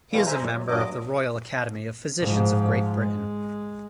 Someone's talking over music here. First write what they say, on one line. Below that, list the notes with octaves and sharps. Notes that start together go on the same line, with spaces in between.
He is a member of the Royal Academy of Physicians of Great Britain.
B2 E3 G3 G#3 A#3
C5 E5 G#5 A#5
F#2 A#2
F#3
G2 A#2 F#3 D#5 D6
G#2 F3
G#3